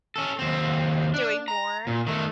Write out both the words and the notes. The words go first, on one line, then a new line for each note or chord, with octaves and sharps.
uh, doing more.
C#4 A4
D#2 C4
D4
A#5
A#2
D#3 A3